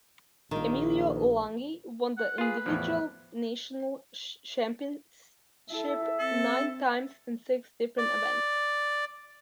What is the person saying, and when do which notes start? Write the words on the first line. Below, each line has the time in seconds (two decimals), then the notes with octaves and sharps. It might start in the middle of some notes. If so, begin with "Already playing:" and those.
Emilio Lunghi won the individual national championship nine times in six different events.
0.51 A#1 D#3 A#3
2.17 F#5
2.38 F4 G#4 B4
2.66 E2 A2 F3
5.70 E4 A4 E5
6.19 C4 A4
7.98 D5